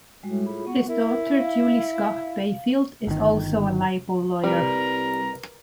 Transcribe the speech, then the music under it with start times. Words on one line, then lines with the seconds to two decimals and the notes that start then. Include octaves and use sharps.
His daughter Julie Scott-Bayfield is also a libel lawyer.
0.23 A2 G3 G#3 F#4
0.46 F4 G#4 B5
0.67 B3 F#4
0.88 E4 A#4
1.37 F5
3.07 G1 D#3
4.44 C2 G3 A#4 B4 A#5